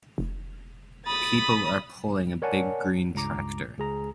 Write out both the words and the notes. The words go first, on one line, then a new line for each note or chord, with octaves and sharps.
People are pulling a big green tractor.
F1
B5 D#6 A6
A#4 C#5 D5 F#5 G#5 A5
C#2 G2 A#5 D6
C#2 G#4 A#5